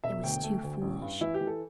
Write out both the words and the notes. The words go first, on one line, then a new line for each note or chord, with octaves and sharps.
It was too foolish.
E1 E5
D2 G5
A3
D2
A1
G2
E3 E4
G4
E3
A4